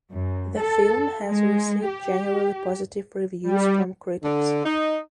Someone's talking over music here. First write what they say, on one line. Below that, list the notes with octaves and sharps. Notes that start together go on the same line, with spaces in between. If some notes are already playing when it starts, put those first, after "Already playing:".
The film has received generally positive reviews from critics.
F#2
A4
G#3
G4
G3
D3
D#4